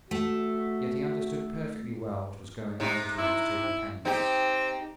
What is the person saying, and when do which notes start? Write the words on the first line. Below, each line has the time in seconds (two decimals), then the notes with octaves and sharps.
Yet he understood perfectly well what was going on between his two companions.
0.11 A3 F#4
2.80 C3 D#4
3.18 E4
4.05 C4 D#4 G4